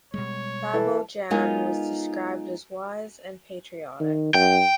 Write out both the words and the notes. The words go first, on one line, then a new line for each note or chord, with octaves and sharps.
Babo Jan was described as wise and patriotic.
B2 G3 G#3 C#5
E3 A4
G#3 B3 D#4 F4 A#4 G#5
D#3
F#2 G5